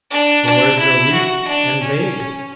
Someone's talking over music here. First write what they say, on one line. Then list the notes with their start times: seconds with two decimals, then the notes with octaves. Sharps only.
The words are weak and vague.
0.11 D4
0.45 D4
0.79 E4
1.13 F#4
1.47 D4
1.81 C#4